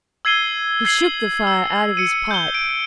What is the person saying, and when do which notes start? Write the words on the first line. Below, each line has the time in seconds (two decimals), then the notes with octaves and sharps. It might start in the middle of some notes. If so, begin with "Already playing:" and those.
He shook the fire out of his pipe.
0.25 E6 G#6 C7 D#7 G7
0.85 G#6 C7 F#7
1.47 E6
1.97 C#7 D#7
2.31 G6 G7
2.54 D7